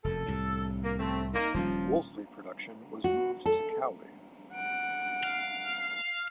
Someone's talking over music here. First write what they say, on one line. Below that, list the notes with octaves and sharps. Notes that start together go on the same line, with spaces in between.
Wolseley production was moved to Cowley.
F1 F#2 A4
C2 A2
A#3
A3 C4
A#3 D#4
D#1 F3 G3 C#4
F#4
A4
F#5 D7
F5